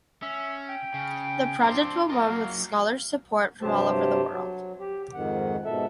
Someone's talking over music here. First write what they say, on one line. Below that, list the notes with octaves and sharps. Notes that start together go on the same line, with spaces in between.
The project will run with scholars support from all over the world.
C#4 E5
G5
C#3
C4 D4 F5
F4 A#4 D#5
F#3 A#3 F5
G2 C3 F#3 G4 C5 A5
F#3
G4
F2 G#2 D#3 F#5
G#2 B2 A4 E5